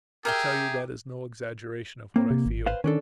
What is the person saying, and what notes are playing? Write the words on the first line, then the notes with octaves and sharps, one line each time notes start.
I tell you that is no exaggeration of what I feel.
G4 G#4 A#4 E5 G5
A#3 C4
C3
G#1
B4 C5 F5
D#3 C#4 D4 A4